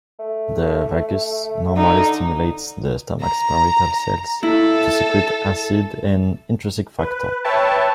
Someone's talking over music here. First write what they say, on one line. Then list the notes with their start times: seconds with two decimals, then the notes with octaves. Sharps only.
The vagus normally stimulates the stomach's parietal cells to secrete acid and intrinsic factor.
0.19 A3
1.76 D3 D#4
3.21 A#5
4.43 E4 A4
6.99 B4
7.44 B4 C#5 E5 G5 A5